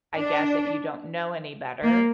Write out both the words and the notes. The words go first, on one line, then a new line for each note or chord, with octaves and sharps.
I guess if you don't know any better,
D4
A#3